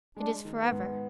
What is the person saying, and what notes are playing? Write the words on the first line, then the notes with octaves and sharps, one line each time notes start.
It is for ever.
G#3 D4
D#3
B3
G#2